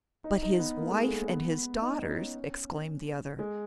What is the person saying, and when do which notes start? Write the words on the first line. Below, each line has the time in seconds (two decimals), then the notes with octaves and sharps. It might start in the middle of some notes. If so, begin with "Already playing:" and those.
"But his wife and his daughters!" exclaimed the other.
0.24 D#4
0.42 D#4
0.59 B3
0.77 A#3
0.90 G#3
1.03 A3
1.16 A#3
1.30 B3
1.82 D#4
2.08 C#4
3.39 G#3